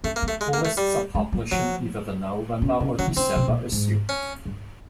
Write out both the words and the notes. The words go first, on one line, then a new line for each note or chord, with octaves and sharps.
Lists are published in either the November or December issue.
A3 C4
A#3
B3
A3
G#3
A#3
A3
G3
G#3
G3
F3 F#3
C#3
C#3
D3 F#3
E3
D3 C4
C3
A#2
G#2
C#4
G2